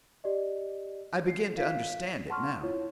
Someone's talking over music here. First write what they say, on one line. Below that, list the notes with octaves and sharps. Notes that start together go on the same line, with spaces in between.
"I begin to understand it now."
G4 D5 D#5
C7
F4 F5 B6
F#5 A5 C6 C#6 F6
E4 F4 C#5